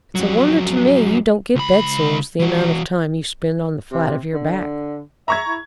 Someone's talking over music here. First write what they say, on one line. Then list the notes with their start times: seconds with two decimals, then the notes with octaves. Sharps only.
"It's a wonder to me you don't get bed sores--the amount of time you spend on the flat of your back."
0.15 F2 F#3
1.55 C#2 B5
2.39 E3 F#4
3.92 C3
4.33 D3
5.28 E5 A#5 C#6 G#6
5.48 E4